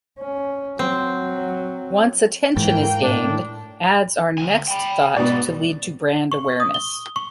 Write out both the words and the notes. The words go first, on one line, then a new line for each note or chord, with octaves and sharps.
Once attention is gained, ads are next thought to lead to brand awareness.
C#4
F#3 C4
G#2 E3 A#3 G5
A2 D4
D2 G#5
G5 B5
G#2 B2 B3 D5
C#6
D#6
G7
C#6